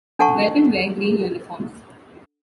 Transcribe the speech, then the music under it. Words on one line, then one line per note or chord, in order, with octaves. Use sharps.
Welpen wear green uniforms.
D4 A4 F#5 A5 C#6